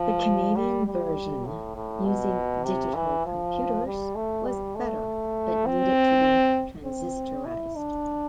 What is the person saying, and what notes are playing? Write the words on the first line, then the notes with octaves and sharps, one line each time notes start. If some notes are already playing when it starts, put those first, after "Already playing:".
The Canadian version, using digital computers, was better, but needed to be transistorized.
Already playing: F3
G3
G3
A2
A2
B2
C3
E3
F3
G3
A3
G3
A3
C4
C4
E4
D4